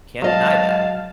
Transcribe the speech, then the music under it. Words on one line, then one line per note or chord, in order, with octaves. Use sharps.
Can't deny that,
G#2 F#3 D#5 F5 A5